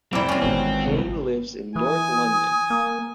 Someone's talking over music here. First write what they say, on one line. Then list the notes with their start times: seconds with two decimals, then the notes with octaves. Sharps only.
Payne lives in North London.
0.13 F1 C2 A#3 C4 E4 D5
0.29 C#4 F4
0.42 G#1 G#2 B2 E3 C4
0.87 C2
1.76 E3 G#5 D#6
2.70 A#3